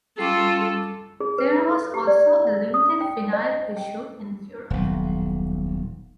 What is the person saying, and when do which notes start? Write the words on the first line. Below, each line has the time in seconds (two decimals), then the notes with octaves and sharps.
There was also a limited vinyl issue in Europe.
0.19 G3 C#4 F4 A4 D6
1.20 G#4
1.38 B4
1.71 A4
1.94 G4
2.07 D5
2.74 D#6
3.01 G5
3.33 D#5
3.77 G5
4.70 D#1 B1